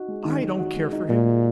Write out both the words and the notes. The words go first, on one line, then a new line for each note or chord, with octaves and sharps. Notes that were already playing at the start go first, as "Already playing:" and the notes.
I don't care for him!
Already playing: D#4 F#4
G#3
D#3
D#3
F#4
G#3
D#4
A#2 D#4
G#3